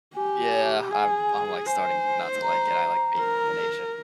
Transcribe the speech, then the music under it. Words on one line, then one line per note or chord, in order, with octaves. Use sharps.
Yeah, I've I'm like starting not to like it, I like being in Asia.
G4 G#5
G#4 G#5
C5 G#5
A#5
A#4